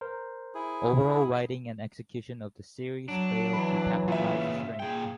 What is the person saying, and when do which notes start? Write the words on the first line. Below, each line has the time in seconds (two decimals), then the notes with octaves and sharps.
Overall writing and execution of the series failed to capitalize the strength.
0.01 A#4 C5
0.55 E4 G#4
3.08 F#3 D4
3.53 E3 B5
4.08 A#2 C#3 F4 E5
4.80 A#2 G#4 G5